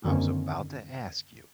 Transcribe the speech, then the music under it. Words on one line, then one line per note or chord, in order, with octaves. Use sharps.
I was about to ask you.
F#2 D3 D#3 A#3 C4 C#4